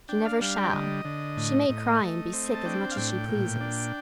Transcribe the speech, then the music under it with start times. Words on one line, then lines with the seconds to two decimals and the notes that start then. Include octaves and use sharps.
She never shall!--she may cry, and be sick as much as she pleases!'
0.09 D4 G5
0.25 F5
0.41 G3 F5
0.57 G5
0.73 D3 D#5
1.05 D3
1.37 A2
1.69 A2
2.01 A3
2.33 C4
2.55 A5
2.65 D4 G5
2.91 F5
2.97 A2 G5
3.28 A#2
3.60 D4